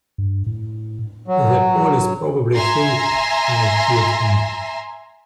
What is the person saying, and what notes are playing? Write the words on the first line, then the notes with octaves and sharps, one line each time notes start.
The police probably think I killed him.
G2
A2
F#3
E5 G#5 A#5 C6